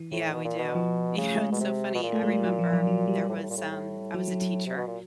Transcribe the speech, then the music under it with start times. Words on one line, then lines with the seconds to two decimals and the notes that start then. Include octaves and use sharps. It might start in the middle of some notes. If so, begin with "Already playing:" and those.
Yeah, we do. You know, it's so funny, I remember there was, um I was a teacher
Already playing: E3
0.12 A2 E3
0.33 B2
0.45 A#2
0.59 B2
0.75 F3
1.18 C#3 A3
1.38 G#3
1.52 B2
1.60 C3
1.95 B2
2.03 A#2
2.13 A3
2.23 G#3
2.34 G3
2.44 F#3
2.59 F3
2.73 F#3
2.87 F#3
3.07 G3
3.29 A2
3.37 A#2
3.43 A2
3.50 A#2
3.57 A2
3.71 A2
4.14 F#3
4.28 F#3
4.42 F#3
4.66 C3
4.77 B2
4.87 A#2